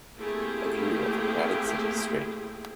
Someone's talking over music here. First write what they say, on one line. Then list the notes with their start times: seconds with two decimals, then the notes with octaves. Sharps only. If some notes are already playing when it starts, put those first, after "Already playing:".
A view of a crowded city street.
0.19 A3 A#3 C4 E4 G4 G#4